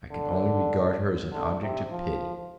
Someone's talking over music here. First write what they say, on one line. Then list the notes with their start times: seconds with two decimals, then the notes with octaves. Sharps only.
I can only regard her as an object of pity!
0.11 D3
1.31 D3
1.61 C3
1.91 F3